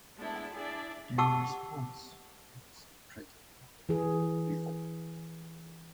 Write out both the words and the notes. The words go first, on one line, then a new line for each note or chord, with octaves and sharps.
Their response was to threaten revolt.
G#3 A3 B3 D4 E4 A4
D4 E4 G#4 D5 E5 A5
G4 F#5 A5 C#6 D6 E6
E3 G#4